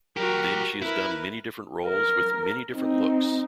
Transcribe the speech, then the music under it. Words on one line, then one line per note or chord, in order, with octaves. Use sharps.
Then she has done many different roles with many different looks.
F#3 F#4 G4 A#4
E4 A#4 B4
A#4
C4 D#4